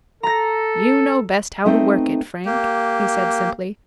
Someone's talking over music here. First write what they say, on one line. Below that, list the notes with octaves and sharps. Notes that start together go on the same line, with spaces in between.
"You know best how to work it, Frank," he said simply.
A4 A#5 A#6
A3 B3 C4 D#4 A4 E5
A#3 G4